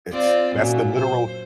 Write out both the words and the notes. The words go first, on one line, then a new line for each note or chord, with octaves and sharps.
It's that's the literal
C4 F4 D5
F#2 A#2 F#3
C5